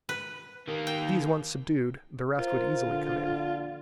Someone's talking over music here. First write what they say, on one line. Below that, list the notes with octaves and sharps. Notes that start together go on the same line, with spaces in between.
These once subdued, the rest would easily come in.
B4
D#3 A#3
G5
F4 A#4 C5
A#1 D3